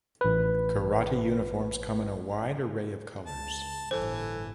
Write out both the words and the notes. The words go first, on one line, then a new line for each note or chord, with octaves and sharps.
Karate uniforms come in a wide array of colours.
A1 B4
C#2 A5
G1 A2 E3 A4 C5